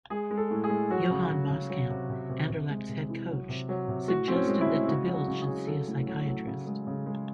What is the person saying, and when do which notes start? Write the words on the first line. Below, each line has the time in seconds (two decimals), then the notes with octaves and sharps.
Johan Boskamp, Anderlecht's head coach, suggested that De Bilde should see a psychiatrist.
0.10 G#3 G#4
0.31 G#3
0.37 A4
0.51 A2
0.64 G#4
0.70 G#3
0.90 F#3 F#4
1.10 C#3
1.30 C#3
1.50 C#3
1.70 F#3
1.89 C3
2.10 C3
2.29 C3
2.50 C3
2.69 G#3
2.89 C3
3.09 E3
3.29 F#3
3.49 C3
3.69 F#3
3.88 C3
4.08 A2 F#4
4.28 A2 C4
4.35 C#4
4.48 G#3
4.61 E4
4.68 G#3
4.88 C#3 F#4
5.08 F#3
5.14 F#4
5.28 C#3
5.42 G#4
5.48 C#3
5.67 F#3 A4
5.87 A2
6.07 F#3
6.27 F#3
6.47 C#3
6.67 G#3
6.87 C#3
7.06 G#3